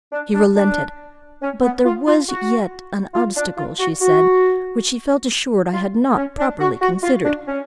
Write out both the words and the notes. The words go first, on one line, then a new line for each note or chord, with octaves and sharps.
She relented; but there was yet an obstacle, she said, which she felt assured I had not properly considered.
D4
D4
D4
C#4
B3
F4
F4
F#4
F4
D4
F4
F#4
F#4
F4
C#4
D4
F#4
F#4
F4
D4
C#4